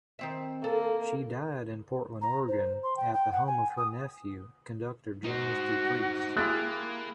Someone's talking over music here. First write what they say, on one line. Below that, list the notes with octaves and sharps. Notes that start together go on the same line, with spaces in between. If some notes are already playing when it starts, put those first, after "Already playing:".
She died in Portland, Oregon, at the home of her nephew, conductor James DePreist.
D#3 C4 E5
A#3 A4
A#5
C5
C6
G5
G5
F#5
G#5
D#6
D#4 F#4 C5
G#3 A#3 E4 G4 F#6 A6